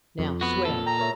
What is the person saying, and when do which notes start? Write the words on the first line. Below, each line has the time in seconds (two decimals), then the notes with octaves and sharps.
Now swear.'
0.19 F2
0.41 B3 F#4
0.65 A#2 A4
0.86 G5 A#5
0.99 A#4 C#5 E5